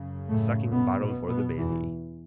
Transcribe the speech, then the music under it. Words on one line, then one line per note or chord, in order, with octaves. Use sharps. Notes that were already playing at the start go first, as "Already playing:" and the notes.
A suckingbottle for the baby.
Already playing: F#2 C#3
A2 A3
B2 B3
B2 B3
B2 B3
E2 E3